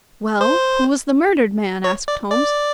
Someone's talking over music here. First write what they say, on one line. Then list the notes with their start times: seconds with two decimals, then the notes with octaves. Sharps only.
"Well, who was the murdered man?" asked Holmes.
0.41 C5
1.84 C#5
2.08 D5
2.32 D5